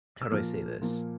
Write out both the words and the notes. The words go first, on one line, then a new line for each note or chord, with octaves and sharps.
how do I say this?
E6
A#2 F3 A#3 F6
A#2 F3 A#3